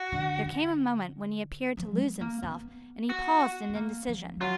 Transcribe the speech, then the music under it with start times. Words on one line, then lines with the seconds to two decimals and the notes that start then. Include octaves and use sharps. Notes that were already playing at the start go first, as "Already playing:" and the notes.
There came a moment when he appeared to lose himself, and he paused in indecision.
Already playing: F#4
0.12 D3
0.45 D3
1.77 F3
1.99 B3
2.21 A#3
2.43 B3
3.10 F#4
3.69 B3
3.75 A#3
4.07 F3
4.37 F3
4.41 F#3 F4